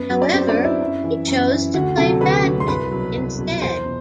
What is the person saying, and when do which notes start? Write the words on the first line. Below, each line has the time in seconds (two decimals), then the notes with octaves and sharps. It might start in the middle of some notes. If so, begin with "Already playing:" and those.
However, he chose to play badminton instead.
Already playing: F#2 B3 B4
0.10 F#3
0.22 D5
0.33 F#2 C4 C5
0.49 D4 D5
0.57 F#3
0.64 E4 E5
0.81 F#2
1.04 E3
1.27 F#2
1.51 E3
1.74 D2 F#4 F#5
1.97 C3 F#3 A4 A5
2.21 D2 B4 B5
2.44 C3 F#3
2.60 C6
2.68 C2 B4 B5
2.91 B2 F#3
3.15 C2
3.38 B2 F#3
3.62 E2 C5 C6
3.85 B2